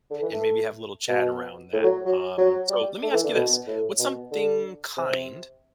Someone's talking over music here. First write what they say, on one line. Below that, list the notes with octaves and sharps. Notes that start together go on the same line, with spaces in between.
and maybe have a little chat around that. Um, so, let me ask you this, what's something kind
D3
E3
A3
B2
A2
F#3
F#3
F#3
G3
A3
E3
D3
B2
A2
B2
D3
C3